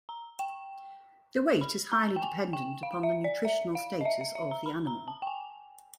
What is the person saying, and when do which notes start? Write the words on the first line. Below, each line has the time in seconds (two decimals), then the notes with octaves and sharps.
The weight is highly dependent upon the nutritional status of the animal.
0.09 A#5
0.39 G5
1.61 B5
1.92 A#5
2.16 G5
2.22 G#5
2.53 G5
2.83 F5
3.03 E5
3.24 D5
3.45 E5
3.75 F5
4.01 D#5
4.05 E5
4.21 E5
4.35 E5
4.51 A#5
4.66 B5
4.87 A#5
5.08 A5
5.22 G5
5.27 G#5